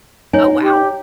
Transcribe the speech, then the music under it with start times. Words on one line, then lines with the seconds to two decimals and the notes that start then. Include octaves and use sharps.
Oh, wow.
0.33 D#4 C#5 G#5
0.62 G4